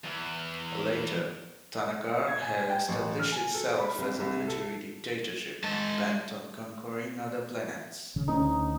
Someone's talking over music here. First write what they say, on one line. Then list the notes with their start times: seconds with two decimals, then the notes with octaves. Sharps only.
Later, Thanagar had established itself as a military dictatorship bent on conquering other planets.
0.04 E2 E3
2.27 G#6
2.42 G#5
2.70 G5
2.89 A1
3.19 F6
3.32 G#5
3.54 A4
3.79 B5
3.98 C2
4.20 C2
4.47 A4
5.64 G#3 A5
8.16 C#3
8.28 D2 C#4 D#4